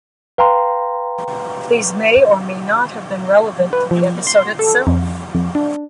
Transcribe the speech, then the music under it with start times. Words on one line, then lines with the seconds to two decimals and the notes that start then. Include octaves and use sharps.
These may or may not have been relevant to the episode itself.
0.38 B4 F5 G5 A#5 C6
3.73 B4
3.91 F3
4.27 C6
4.59 A4
4.87 F2
5.35 F2
5.55 D4